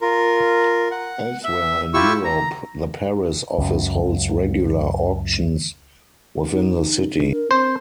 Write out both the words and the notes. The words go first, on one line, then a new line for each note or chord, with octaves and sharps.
Elsewhere in Europe, the Paris office holds regular auctions within the city.
F4 A#4
F#5
E5
E4 F4 G4 C#6 E6
A#5
C#2 F#2
D#4
D4
A#4
C4 C5